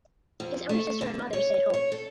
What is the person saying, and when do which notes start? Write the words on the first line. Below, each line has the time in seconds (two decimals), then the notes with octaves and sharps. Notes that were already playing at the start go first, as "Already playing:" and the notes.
His elder sister and mother stay at home.
0.40 F2
0.69 A3
1.01 D3
1.33 C#5
1.74 C#5
1.92 A4